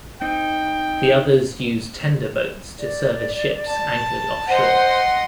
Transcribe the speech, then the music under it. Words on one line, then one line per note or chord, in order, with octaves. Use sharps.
The others use tender boats to service ships anchored off shore.
C4 D#4 G5
D5
A5
C5 D#5 F#5 C6